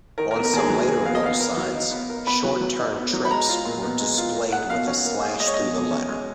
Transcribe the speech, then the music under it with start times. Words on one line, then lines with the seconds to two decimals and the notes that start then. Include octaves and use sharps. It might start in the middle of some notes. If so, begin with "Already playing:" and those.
On some later rollsigns, short-turn trips were displayed with a slash through the letter.
0.18 D#3 A#4
0.31 A#4
0.36 B3
0.45 A#4
0.53 D#2 G#4
0.70 F#3
0.88 D#3 G#4
1.05 B3 F5
1.15 D#5
1.23 B3 F5
1.40 A#4
1.57 F#3
1.75 D#4
1.91 B3
2.10 A#4
2.27 B3 B5
2.44 F#3
2.61 F#3
2.79 D#4
2.96 B3
3.13 F#3
3.25 B5
3.31 G#3 A#5
3.49 F4
3.65 A#2
3.83 B3
4.00 G#3
4.18 F4
4.36 A#3
4.52 G#4 F#5
4.70 B2 F5
4.87 C#4
5.05 A#3
5.22 G#4
5.40 G#3 D#5
5.47 C#5
5.54 B2 D#5
5.74 B2
5.91 C#4
6.09 G#3